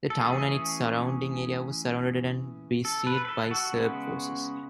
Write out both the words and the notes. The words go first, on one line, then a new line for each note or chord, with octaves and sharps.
The town and its surrounding area was surrounded and besieged by Serb forces.
A4
E3 A3 C#4 G#4
A4
B4
B4
A4
F#4
C#3 G#3 B3